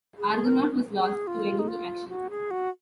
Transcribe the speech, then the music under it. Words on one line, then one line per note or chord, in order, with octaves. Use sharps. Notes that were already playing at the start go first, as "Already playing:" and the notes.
"Argonaut" was lost to enemy action.
G#4
A#4
G#4
F4
D#4
F4
F#4
G#4
F#4